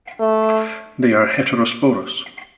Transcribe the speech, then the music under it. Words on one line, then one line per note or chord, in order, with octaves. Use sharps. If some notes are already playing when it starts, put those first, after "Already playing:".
They are heterosporous.
A3